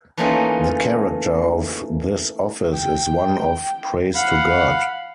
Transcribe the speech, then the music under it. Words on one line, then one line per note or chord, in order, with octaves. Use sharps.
The character of this office is one of praise to God.
E3 A3 A#3 C#4 D#4 F4
G5
F5 F#5 B5